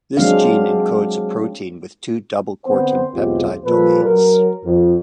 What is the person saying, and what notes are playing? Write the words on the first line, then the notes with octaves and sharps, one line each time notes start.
This gene encodes a protein with two doublecortin peptide domains.
F#3 G#3 C4 D4 F5
D3 B3 C4 C5
B1 E2 G#3 C4 F4 G4
A#2 F3 G3 A4 B4
F#3 A#4
F2